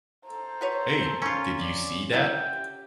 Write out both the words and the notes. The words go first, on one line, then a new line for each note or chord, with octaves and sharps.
Hey! Did you see that?
A4 C5 A#5
F#4 B4 C#5
C#4 F4
D5
D3 E4 A#4 F#5 G5
G4